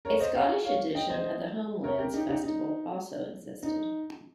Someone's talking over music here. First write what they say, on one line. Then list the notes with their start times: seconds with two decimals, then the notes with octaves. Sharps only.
A Scottish edition of the Homelands festival also existed.
0.05 A#4 C#5
0.20 C5 D#5
0.35 C#5 F5
0.65 C#5 F5
0.95 D#5 G5
1.09 C5 D#5
1.84 A#4 C#5
1.98 G4 A#4
2.14 D#4 G4
2.28 D#4 G4
2.44 D#4
3.63 D#4